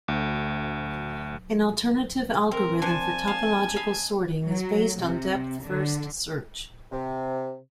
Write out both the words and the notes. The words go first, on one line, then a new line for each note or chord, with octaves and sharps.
An alternative algorithm for topological sorting is based on depth-first search.
D2
C4 A#4
F3 D4 G#5 A5
F5
D#5 F5 B5
F#3
C3
D3
C3